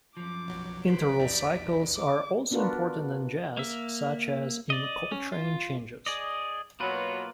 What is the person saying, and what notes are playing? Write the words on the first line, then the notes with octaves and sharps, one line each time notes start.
Interval cycles are also important in jazz, such as in Coltrane changes.
F#2 F3 D6
B1 F#3
B4 C5 B6 D7
A#1 E2 D#4 G4 D5
D6
B3 D4 F4 F#4 A#4 B4
A#3 E5
D5 D#5
C#4
F4
G#4 D5 D#5
B2 F#3 A#3 F4 B4